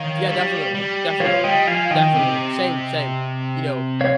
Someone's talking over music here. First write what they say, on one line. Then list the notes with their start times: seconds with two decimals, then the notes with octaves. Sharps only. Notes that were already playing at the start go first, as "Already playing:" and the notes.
Yeah, definitely. Definitely. Definitely. Same same. You know,
Already playing: D#3 C#5 F5
0.27 G3
0.74 G3
1.20 F3 C#5 F5
1.44 G3 D#5 G5
1.67 F3 F5 G#5
1.90 D#3 D#5 G5
2.14 C3
4.01 C#5 F5